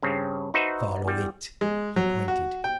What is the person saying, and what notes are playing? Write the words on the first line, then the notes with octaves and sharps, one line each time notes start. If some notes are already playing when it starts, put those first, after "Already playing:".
"Follow it." He pointed.
G2 C#3 C4
D#4 F#4 B4 C5 E5
E2 G3
G#3
F#3
F#4
G5